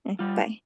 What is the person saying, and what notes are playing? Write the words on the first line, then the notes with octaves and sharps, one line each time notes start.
Mm, bye.
G3 F4